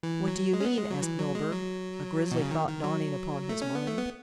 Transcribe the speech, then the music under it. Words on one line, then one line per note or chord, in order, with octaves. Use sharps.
"What do you mean?" asked Milburgh, a grisly thought dawning upon his mind.
E3
F#3
G#3
C#4
B3
G#3
F#3
E3
F#3
G#3
F#3
B2
C#3
D#3
D#3
F#3
A3
C#4
B3
A3
B3